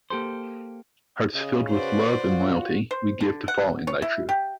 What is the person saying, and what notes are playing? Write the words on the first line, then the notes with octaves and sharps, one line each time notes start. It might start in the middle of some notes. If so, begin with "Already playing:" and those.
Hearts filled with love and loyalty, we give to follow in thy truth.
A#3 G4 A4 C5
C#3 D#5
F#4 B4 C5 D5
F4 F#4
C5
D3
F#5
C#5
E4
G4